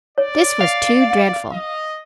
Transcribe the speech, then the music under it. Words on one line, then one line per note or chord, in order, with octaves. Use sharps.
This was too dreadful.
C#5 D5
F5
D#5